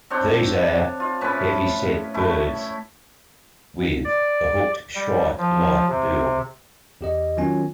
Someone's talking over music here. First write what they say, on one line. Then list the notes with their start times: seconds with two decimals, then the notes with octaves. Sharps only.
These are heavyset birds with a hooked shrike-like bill.
0.10 C4 D4 C#5 G5
1.00 F4
1.21 A2 C#4 B4
2.14 A3 C#4 E4
4.05 D5
4.95 G3
5.38 F3
5.89 C3
7.01 E2 G4 D#5
7.37 D#3 F#3 B3 C#4 F4 G#5